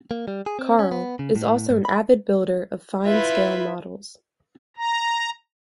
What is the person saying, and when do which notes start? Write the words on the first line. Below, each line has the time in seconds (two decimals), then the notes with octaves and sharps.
Karl is also an avid builder of fine scale models.
0.11 A#3
0.28 G3
0.46 G#4
0.59 C4
0.79 C#4
0.92 B3
1.19 C#3
1.36 A2
1.70 G#2
1.85 B5
3.05 E4 F4 B4 E5
4.77 A#5